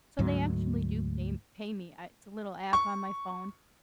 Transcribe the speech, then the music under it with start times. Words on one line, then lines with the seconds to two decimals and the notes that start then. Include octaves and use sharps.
So they actually do pay m pay me, I it's a little app on my phone,
0.19 D2 G#2 F#3
2.73 C#6